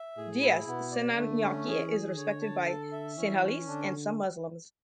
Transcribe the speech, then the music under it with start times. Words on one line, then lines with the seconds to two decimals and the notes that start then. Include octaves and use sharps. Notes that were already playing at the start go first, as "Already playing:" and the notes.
D. S. Senanayake is respected by Sinhalese and some Muslims.
Already playing: E5
0.17 A2 G#4
0.41 E4
0.67 B2 B3
0.92 D5
1.16 D3 A3
1.42 C#4
1.67 E3 G#4
1.91 G#4
2.17 D3 C#5
2.42 A5
2.66 A4
2.92 E5
3.17 E3 C#4
3.42 C#4
3.67 D3 D4